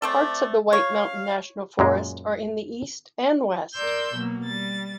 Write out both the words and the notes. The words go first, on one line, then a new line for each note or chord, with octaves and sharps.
Parts of the White Mountain National Forest are in the east and west.
A3 C4 A4 D5
C#5 F5
F#2 A#2 G#3
A#4 D5 C6 E6 G6
B2 F#3 A#3
G3 A6